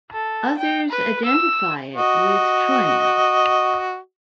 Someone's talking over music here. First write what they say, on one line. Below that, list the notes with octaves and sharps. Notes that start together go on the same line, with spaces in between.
Others identify it with Troina.
A4
G5
B4
E6
F#4 D#5